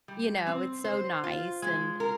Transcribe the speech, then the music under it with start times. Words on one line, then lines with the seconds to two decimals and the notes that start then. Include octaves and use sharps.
you know, it's so nice, and,
0.08 G3
0.47 C4
0.84 C5
1.24 F4
1.62 G#3
2.00 A#4